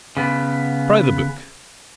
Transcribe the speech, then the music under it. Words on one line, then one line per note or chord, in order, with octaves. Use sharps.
Try the book.
C#3 B3